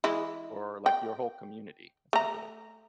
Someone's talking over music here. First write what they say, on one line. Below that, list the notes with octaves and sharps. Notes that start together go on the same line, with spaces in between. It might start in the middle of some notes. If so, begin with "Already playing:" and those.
for, like, your whole community, essentially.
E3 G#3 E4
G5
A3 A#5